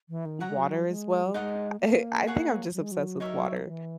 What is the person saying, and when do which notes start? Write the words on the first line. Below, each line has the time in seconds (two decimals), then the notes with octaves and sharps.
water as well. I I think I'm just obsessed with water.
0.09 E3
0.25 D#3
0.40 F#3 C#5 F#5 A#5
0.49 G#3
0.57 F#3
0.88 G#3
1.25 F#3
1.34 G#3 D#4 A#4 D#5 F#5
1.81 A#3
2.27 G#4 C#5 F#5 A#5
2.74 F#3
2.83 G#3
2.92 F#3
3.20 D#4 A#4 C#5 E5
3.67 E3